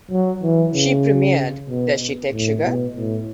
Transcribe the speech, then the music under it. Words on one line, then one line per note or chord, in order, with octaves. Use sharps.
She premiered Does She Take Sugar?
F#3
E3
C#3
B2
A2
B2
A2